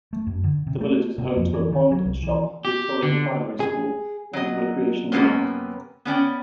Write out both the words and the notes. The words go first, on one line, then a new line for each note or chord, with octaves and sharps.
The village is home to a pond, shop, Victorian primary school, and recreation ground.
A3
F#2
D3
C3
A3
C3
F2
E3
D#3
F#3
C2
E3
G4
D3
G#4
F#3 D#5
F#2 C3 E3 A#3 B3 C#4
B3 C#4 D5 G5